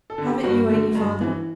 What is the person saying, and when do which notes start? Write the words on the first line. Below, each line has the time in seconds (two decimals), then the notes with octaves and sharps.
"Haven't you any father?"
0.10 A4
0.18 D3
0.26 G4
0.43 G2 F#4
0.69 D3
0.95 G2
1.21 E3